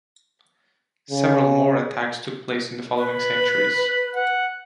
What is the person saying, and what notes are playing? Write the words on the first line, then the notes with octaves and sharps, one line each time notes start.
Several more attacks took place in the following centuries.
C#3
B4 B5
F#5